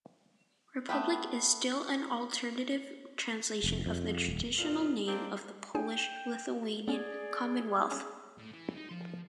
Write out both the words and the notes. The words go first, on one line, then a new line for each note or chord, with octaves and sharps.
"Republic" is still an alternative translation of the traditional name of the Polish-Lithuanian Commonwealth.
A3 B3 G5 B5
F1
F2
D#1
F2 A#2 E3 F4
A#3 C4 D4 D#4 G4
D4 G#4 G5 G#5
B3 C#4 G#4 D5
C#4
A2
E3
D#4
F3 C6